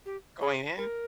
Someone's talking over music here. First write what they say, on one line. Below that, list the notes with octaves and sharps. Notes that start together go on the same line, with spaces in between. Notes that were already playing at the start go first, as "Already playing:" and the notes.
Going in?
G4
G#4
A#4